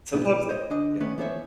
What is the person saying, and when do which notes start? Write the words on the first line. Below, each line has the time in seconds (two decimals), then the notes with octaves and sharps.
sometimes it yeah.
0.14 B1 B3 E4 G4 B4
0.49 C5 C#5 D#5
0.70 D3 D4 D#5
1.00 D#3 A3 B3 C#4 B4
1.18 E3 B3 A4 C5 C#5 E5